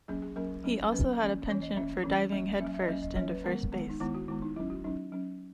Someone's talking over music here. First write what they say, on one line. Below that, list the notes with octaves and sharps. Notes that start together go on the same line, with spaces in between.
He also had a penchant for diving headfirst into first base.
F#3 A#3 C#4 G#4
G#4
F#3 A#3 C#4 A#4
F#3 A#3 C#4
F#3 A#3 C#4 B4
E3 A#3 C#4
E3 A#3 C#4 C#5
D#5
E3 A#3 C#4 E5
E3 A#3 C#4
F#3 A#3 C#4
F#3 A#3 C#4 E5
E5
D#5
F#3 A#3 C#4 E5
D#5
F#3 A#3 C#4 C#5
B4
D#3 G#3 B3 A#4
D#3 G#3 B3
D#4
D#3 G#3 B3 E4
F#4
D#3 G#3 B3 E4
D#4
F#3 C#4 E4
F#4
F#3 C#4 D#4
F#3 C#4